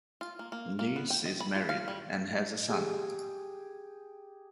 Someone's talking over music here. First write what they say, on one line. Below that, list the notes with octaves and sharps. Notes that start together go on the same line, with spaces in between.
Nies is married and has a son.
F4
A#3
A#3
A#3
B3
G5
D#5
B5
F4
F5
G3
G4 G#4